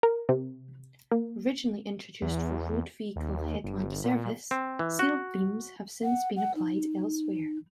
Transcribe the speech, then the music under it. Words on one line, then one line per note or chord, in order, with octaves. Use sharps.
Originally introduced for road vehicle headlamp service, sealed beams have since been applied elsewhere.
A#4
C3
A#3
E2
D#2
G1
A#2
C4
E3
F#4
F#5
F#5
D#4